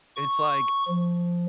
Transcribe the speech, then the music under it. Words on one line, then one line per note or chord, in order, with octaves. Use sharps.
it's like,
C#6
F3